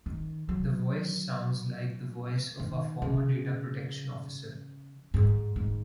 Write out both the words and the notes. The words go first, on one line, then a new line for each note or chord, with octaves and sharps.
The voice sounds like the voice of our former data protection officer.
D#3
F#3
D#3
C#3
G#2
G#2